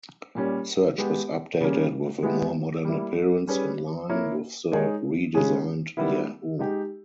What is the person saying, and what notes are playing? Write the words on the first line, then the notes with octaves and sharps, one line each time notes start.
Search was updated with a more modern appearance in line with the redesigned Yahoo!
A#2 G3 C#4
G#3 B3 G4
C#3 G3 A#3 C#4
G#3 B3 E4 G4
G3 A#3 E4
G3 C#4 G#4 B4
A#3 E4 A#4 C#5
G#3 D#4 G#4 C#5
C#3 G#3 C#4 G#4
D#3 G3 B3 E4
G#3 D#4 G4